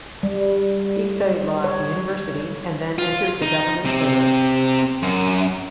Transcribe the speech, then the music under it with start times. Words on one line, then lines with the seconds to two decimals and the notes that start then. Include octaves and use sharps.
He studied law at the university, and then entered the government service.
0.23 G3
1.64 C#5
2.98 F4
3.42 D#4
3.85 C3 C4
5.03 F#2